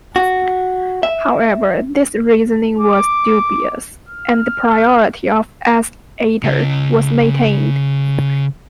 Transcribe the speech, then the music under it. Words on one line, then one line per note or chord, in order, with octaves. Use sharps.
However, this reasoning was dubious and the priority of "S. ater" was maintained.
F#4
E5
D6
F6
C#3 D#5